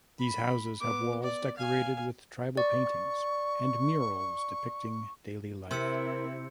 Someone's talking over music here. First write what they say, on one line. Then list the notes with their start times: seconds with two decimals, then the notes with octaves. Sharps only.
These houses have walls decorated with tribal paintings and murals depicting daily life.
0.19 B5
0.80 B3 D6
1.22 D5
1.58 F5 G#5
2.57 D5 C#6
5.71 C3 C4 E4 A#4 C6 E6 C#7